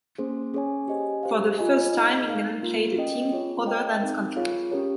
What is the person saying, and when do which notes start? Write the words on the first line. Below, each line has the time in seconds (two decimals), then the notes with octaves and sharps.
For the first time, England played a team other than Scotland.
0.18 A#3 C#4 G#4 C5
0.54 C#4 G#4 C#5 G#5
0.88 G4 C5 D#5 G#5
1.23 G4 C5 F5
1.58 F4 G#4 D#5 G#5
1.93 D#4 G#4 D#5
2.27 D#4 A#4 F5
2.63 A#3 F4 A#4
2.97 C#4 G#4 D#5 G5
3.32 F4 G#4 C#5
3.66 G#4 C5 D#5 G5
4.02 C4 D#4 A#4
4.36 F4 G#4 C#5 F5
4.72 C#4 G4 A#4 C#5